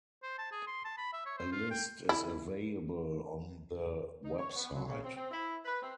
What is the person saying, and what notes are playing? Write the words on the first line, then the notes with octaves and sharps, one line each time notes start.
A list is available on the website.
C5
A5
G#4
C6
A5
B5
E5
C#5
C5
F4
G5
E4
D#4
C#5
B3
F#3
C#3
C4
C4
E4
B4
C4